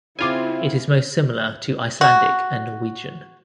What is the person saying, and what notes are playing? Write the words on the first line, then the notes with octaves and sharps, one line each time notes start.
It is most similar to Icelandic and Norwegian.
C#3 C4 E4 F4 G#5 D6
F#4